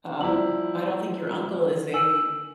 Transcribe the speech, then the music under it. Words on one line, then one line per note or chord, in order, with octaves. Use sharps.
Um, I don't think your uncle is a
F3 G3 E4 D5 A#5 F#7
G#5 E6 F#7